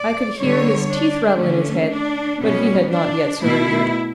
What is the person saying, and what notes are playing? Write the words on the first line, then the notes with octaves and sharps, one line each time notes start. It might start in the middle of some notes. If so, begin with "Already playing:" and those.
I could hear his teeth rattle in his head, but he had not yet surrendered.
Already playing: D5
D3 G3 B3 C#5
D4
D3 A3 C#4
D4
B2 G3 B3 C#4
D4
B2 A3 E4